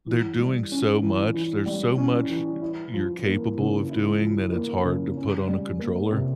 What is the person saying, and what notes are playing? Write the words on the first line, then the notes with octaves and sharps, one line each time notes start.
They're doing so much. There's so much y you're capable of doing that it's hard to put on a controller
E3
G3
C#4
E3
E3
G3
C#4
E3
E4
F3
A#3
C#3
E4
F3
A#3
C#3
C#4
G3
A#3
C3